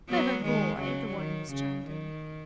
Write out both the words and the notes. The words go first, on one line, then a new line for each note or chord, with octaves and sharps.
"Clever boy!", the Wardeness chimed in.
F#3 B3
D#3 G#3
C#3 F#3
D#3
C#3
D#3